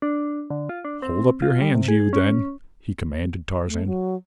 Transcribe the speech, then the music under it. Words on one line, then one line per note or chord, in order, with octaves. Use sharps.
"Hold up your hands, you, then," he commanded Tarzan.
D4
D3
F4
D4
C4
F4
G3
C3
G#4
C#4
A3
F#3